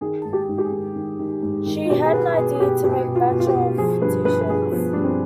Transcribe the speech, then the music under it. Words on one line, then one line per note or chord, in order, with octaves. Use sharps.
She had the idea to make a batch of T-shirts.
D#3 G#4
G#2
G4
G#2
G4
G#4
D#3
D#3
D#3
G#2
D#3
F4
B2 G4
G#4
B2 B4
B2 G#4
G#4
B2 G4
B2 G4
B2
F4
B2
F4
G4
B2
F3 G#4
G2 B4
G2 B4
B4
G2 G#4
F3 B3
G2 D4
C4